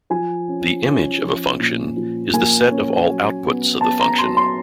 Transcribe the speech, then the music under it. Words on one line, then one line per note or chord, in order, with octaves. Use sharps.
The image of a function is the set of all outputs of the function.
F3 G#5
C#4
C#4
F3
A#2
F3
A#3 G#5
C#4
F#3
B3
B3 A5
A#5
F#3 C6
C6